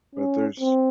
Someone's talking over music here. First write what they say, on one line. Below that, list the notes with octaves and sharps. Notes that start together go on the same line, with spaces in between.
But there's
C#4
C4